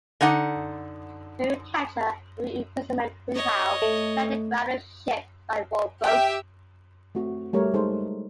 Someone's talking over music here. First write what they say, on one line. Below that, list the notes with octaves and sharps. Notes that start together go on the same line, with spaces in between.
Fearing capture and reimprisonment, Greenhow fled the grounded ship by rowboat.
D3 D#4 F#5
C#5 D#5
A3
G4 E5 G5
A3 C4 F#4
G3 A3 G4 A#4 C#5
G#3 D#4 A4 C5